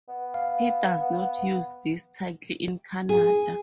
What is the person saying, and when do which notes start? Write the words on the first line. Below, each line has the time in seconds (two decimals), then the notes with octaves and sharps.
He does not use this title in Canada.
0.09 B3
0.34 F5
3.09 G#4